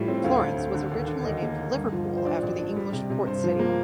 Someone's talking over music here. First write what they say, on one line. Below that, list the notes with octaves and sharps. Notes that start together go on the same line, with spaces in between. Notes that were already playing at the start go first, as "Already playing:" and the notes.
Florence was originally named Liverpool after the English port city.
Already playing: A2 F3 G3
C4
D2 F5
D2
D2
D3
D#2
D3
D#2 D#5
A#3
D3
G2
F3
F3
C5
D4 D5
A1
D4
G3
C3
C3
G2 C5
F3
A#3